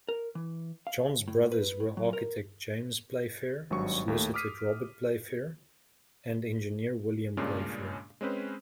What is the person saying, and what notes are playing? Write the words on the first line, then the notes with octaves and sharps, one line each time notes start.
John's brothers were architect James Playfair, solicitor Robert Playfair and engineer William Playfair.
A#4
E3
F5
A2
B4
A2
F#3
A#4
G#1 G2 F#3 C#6
D#2 A3
D6 D#6 F6 B6 C7 D#7
G2 A#2 C#3 G#3 C#4 D4
G#3 C4 C#4 B4 C5